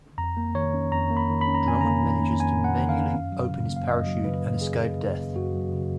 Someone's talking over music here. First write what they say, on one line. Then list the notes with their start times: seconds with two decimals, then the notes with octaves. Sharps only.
Drummond manages to manually open his parachute and escape death.
0.18 F2 A#5
0.37 A#3
0.55 D#3 C#5
0.74 C#4
0.92 F2 A#5
1.11 A#3
1.17 B5
1.30 D#3
1.41 B5
1.47 C#4
1.55 A#5
1.66 F2 G#5
1.81 A#3 A#5
2.03 D#3
2.21 C#4
2.40 F2 G#5
2.58 A#3
2.64 F#5
2.77 D#3
2.89 F5
2.96 C#4
3.13 F#2
3.32 F#3
3.51 C#3
3.70 A#3
3.76 F5
3.88 F#2 D#5
4.06 F#3
4.25 C#3 B4
4.44 A#3
4.61 F#2 G#4
4.80 F#3
4.99 C#3
5.17 A#3
5.36 F#2 F#4
5.54 F#3
5.72 C#3